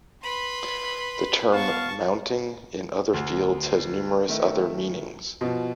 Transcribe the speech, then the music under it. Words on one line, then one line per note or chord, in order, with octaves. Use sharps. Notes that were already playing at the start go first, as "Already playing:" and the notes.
The term mounting in other fields has numerous other meanings.
B4 B5 C6
B3 F5 A5 C#6
D2
D#3 A3 E4
B2 F3